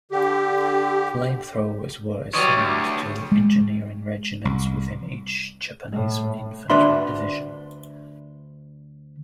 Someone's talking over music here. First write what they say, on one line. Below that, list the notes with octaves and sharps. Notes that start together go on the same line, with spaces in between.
Flamethrowers were assigned to engineering regiments within each Japanese infantry division.
D3 G4
E3 F#3 G3 C#5 D#5
D2
G#3
C2
A2
D2 D4 B4 E5 B5 C6